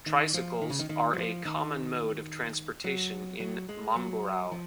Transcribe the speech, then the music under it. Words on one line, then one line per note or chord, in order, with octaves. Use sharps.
Tricycles are a common mode of transportation in Mamburao.
D#3
F3
D#3
C#3
D#3
D#3
F#3
F3
D#3
F#3
F#3
G#3
F#3
F3